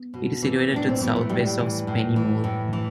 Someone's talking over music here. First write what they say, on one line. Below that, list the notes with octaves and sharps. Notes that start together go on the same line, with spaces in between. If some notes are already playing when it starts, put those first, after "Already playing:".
It is situated to the south west of Spennymoor.
Already playing: B3
B2
E3
A2 D4
C4
E3 B3
A3
A2 G3
E3
A2
E3
A2
E3